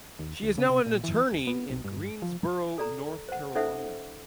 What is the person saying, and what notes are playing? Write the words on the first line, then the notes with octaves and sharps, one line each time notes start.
She is now an attorney in Greensboro, North Carolina.
D#2
D2
C#3
C3
A#2
E3
D#1
B3
B1
G2
F3
A4 D5 A#5
C5 F#5
C#4 D#4 A4 C5 E5 F#5